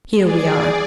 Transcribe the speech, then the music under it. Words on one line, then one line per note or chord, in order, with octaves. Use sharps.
Here we are.
G#4 D5